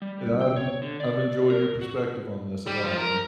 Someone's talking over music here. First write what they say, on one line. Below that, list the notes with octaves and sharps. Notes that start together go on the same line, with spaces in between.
and I've en I've enjoyed your perspective on this a lot, man.
G3
G5
C#5
D3
D5
A#4
F#4
G3
F3
A#4